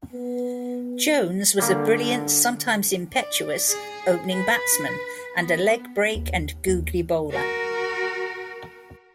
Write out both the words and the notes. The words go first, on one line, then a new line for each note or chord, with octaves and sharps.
Jones was a brilliant, sometimes impetuous, opening batsman and a leg-break and googly bowler.
B3
D3 G3 A#3
D5
G#4
B4
B3
D#2
D#2
F#4 A#4